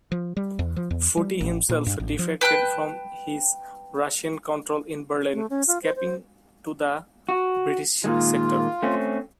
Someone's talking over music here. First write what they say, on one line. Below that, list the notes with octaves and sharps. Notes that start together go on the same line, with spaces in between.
Foote himself defected from his Russian control in Berlin, escaping to the British sector.
F3
G3
E2
F3
E2
G3
A1
A#2
G2
A1
F3
B4 G5 A5 F#6
A3
C#4
F4
C5
C5
F#4
A#2 D#3 G#3 F4
A3 C4 C#4